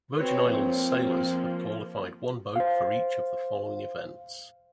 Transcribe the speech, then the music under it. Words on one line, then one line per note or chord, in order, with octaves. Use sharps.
Virgin Islands sailors have qualified one boat for each of the following events.
C4 F#4 B4 C#5
F3 A#3 C4
C5 F5